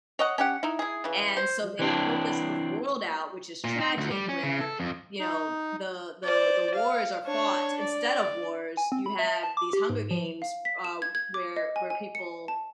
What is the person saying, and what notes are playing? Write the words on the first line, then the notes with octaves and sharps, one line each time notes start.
And so, they built this this world out- which is tragic- where, you know, the the the wars are fought instead of wars, you have these Hunger Games, uh, where where people,
C#5 D#5 F#5
C#4 G4 F#5
D#4 E4
E4 G#4
C#3 E3
C5
E3 C4 D4
A#2
D#4
D2
G3
C#4
C#3
A4
F2
D#4
C5 D5
F5
D4 C#5
D5
G#5
C4
B5
E5
A5
D6
G4
G#2
F3
F5
B6
E7
G#6
G#6
D6
D#5
G#5
G#5
C#7
A5